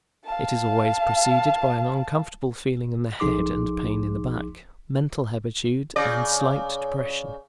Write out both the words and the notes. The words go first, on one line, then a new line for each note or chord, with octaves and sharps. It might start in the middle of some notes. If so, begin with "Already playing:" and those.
It is always preceded by an uncomfortable feeling in the head, and pain in the back, mental hebetude, and slight depression.
F5 A5
B1 F3 D#4 G#4 C6 D6
C#3 D5